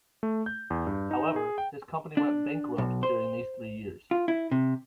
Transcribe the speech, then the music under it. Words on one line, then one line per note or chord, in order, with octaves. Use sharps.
However, his company went bankrupt during these three years.
A3
G6
E2
G2
D#4
G#4
G5
D4
B1
C5
F4
E4
C3